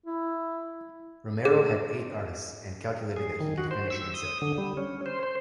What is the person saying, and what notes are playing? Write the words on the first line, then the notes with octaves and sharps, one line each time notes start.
Romero had eight artists, and calculated that he could finish in seven.
E4
G#4
G#4
D#3
F#4
C5
E6
D#6
D3
G3
C#4
C5
C5